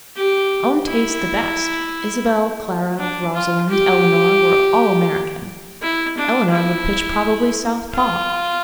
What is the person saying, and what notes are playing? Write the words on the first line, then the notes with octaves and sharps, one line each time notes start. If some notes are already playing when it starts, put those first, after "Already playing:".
Own taste the best; Isabelle, Clara, Rosalind, Eleanor, were all-American. Eleanor would pitch, probably southpaw.
G4
E4
D4
F4
G4
E4
D4
E4
F4